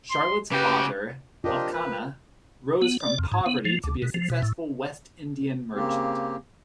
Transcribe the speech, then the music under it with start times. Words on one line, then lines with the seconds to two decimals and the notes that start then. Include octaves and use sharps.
Charlotte's father, Elkanah, rose from poverty to be a successful West Indian merchant.
0.11 C6
0.52 C#3 F#4 G4 B4 D6
1.44 D4 F4 G4 A#4 C5 D#5
1.73 B4
2.82 B3
3.00 D5
3.19 F2
3.32 G#2
3.46 B3
3.65 F3
3.84 D2
4.02 B2
4.14 F3
4.30 B2
4.42 A2
5.75 C#3 A#3 C4 G4